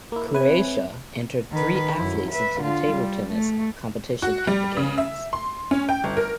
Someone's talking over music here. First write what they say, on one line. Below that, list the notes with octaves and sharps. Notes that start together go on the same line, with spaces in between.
Croatia entered three athletes into the table tennis competition at the games.
A#3 E4
C4 B4 C#5 E5 G#5
D#3 B4
F#2 E4
B4 E5
D3 F4
G3
A3
F#4
G3
C#3
E5
C6
C#4
G5
G1
A#4